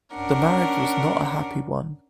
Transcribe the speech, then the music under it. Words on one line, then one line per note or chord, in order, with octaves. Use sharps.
The marriage was not a happy one.
C#4 D4 A#4 F#5